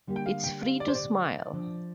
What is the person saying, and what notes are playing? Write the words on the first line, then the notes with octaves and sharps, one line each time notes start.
It's free to smile.
D3 G3 A#3 G4
G5
F5
G5
F5
D5
C5
D5
F3 D4 F4